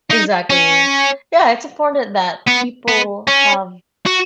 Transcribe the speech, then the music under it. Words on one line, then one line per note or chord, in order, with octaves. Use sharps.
Exactly, yeah, it's important that people have
D#4
C#4
B3
B3
C#4
F#4